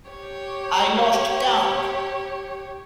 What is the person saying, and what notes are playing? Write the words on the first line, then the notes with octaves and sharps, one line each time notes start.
I lost count.
G4 C#5